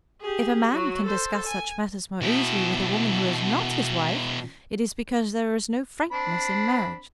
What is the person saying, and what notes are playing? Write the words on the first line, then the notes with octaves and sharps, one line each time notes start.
If a man can discuss such matters more easily with a woman who is not his wife, it is because there is no frankness in marriage.
G4 G#4
F#3 F#4
A4 C5
G#5
B2 E4
C4 D4 B5